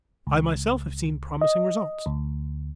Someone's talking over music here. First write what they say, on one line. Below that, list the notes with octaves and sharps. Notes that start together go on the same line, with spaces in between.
I myself have seen promising results.
C#2
D#5
D2